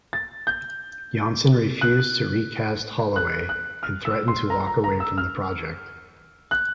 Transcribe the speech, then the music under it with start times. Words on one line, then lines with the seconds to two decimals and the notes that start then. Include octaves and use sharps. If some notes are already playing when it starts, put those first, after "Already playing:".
Janssen refused to recast Holloway and threatened to walk away from the project.
0.13 A6
0.47 G6
1.81 F#6
3.16 F#6
3.49 F#6
3.83 F6
4.05 E6
4.28 C6
4.50 A#5
4.67 A#5
4.84 A#5
5.00 E6
5.18 F6
6.51 F#6